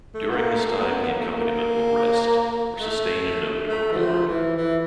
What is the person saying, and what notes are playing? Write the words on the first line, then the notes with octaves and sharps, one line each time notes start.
During this time the accompaniment will rest, or sustain a note or chord.
A3
B3
A#3
A3
A#3
B3
B3
A#3
A3
A#3
A3
A3
E3
F3
E3
E3